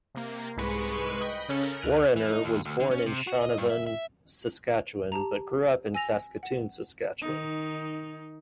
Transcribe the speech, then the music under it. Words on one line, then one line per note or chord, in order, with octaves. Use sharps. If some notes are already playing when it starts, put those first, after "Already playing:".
Warrener was born in Shaunavon, Saskatchewan, but grew up in Saskatoon, Saskatchewan.
C3 A#3
C2 G#2 G#3 B4 C#6
D#5 G5 B5 B6
C#3 C#4 A4 B5 C#7
A#4
D2 F6 F#6 D7 D#7
E3
D#4
D#2
D2
D3
C#4
C3
F#4
D#5
G2
E5
E5
G4 A5 A#5
G#5 E6 A#6 F7
F#5
D#3 D#4